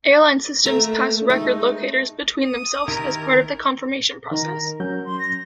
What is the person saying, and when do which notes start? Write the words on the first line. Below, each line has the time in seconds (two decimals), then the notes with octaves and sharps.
Airline systems pass record locators between themselves as part of the confirmation process.
0.66 A3 A#3 E5 A#5
1.30 G#3 A3 D#4
2.46 D#6
2.88 D#3 E4 G4 A#4
4.31 D#3 A#4
4.80 F#3 C#4 A#4 G6
5.05 C6
5.19 A#6